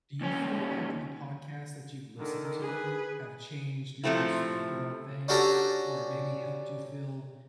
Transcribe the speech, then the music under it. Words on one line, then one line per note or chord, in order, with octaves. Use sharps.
Do you feel like the podcasts that you've listened to have changed your perspective on things, or maybe helped you feel
D#2 C#4
D3 D#3
G#4 B4
C3 F3 A3 C4 E4
C#4 D4 F#4 G4 A4 A#5